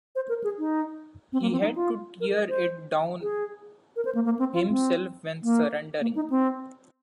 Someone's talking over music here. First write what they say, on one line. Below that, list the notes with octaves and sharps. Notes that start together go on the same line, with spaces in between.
He had to tear it down himself when surrendering.
C5
A#4
G#4
D#4
C4
A#3
C4
D#4
F4
A#4
D#5
C5
G#4
A#4
C5
A#3
A#3
C4
F4
C4
A#3
A#3
D#4
C4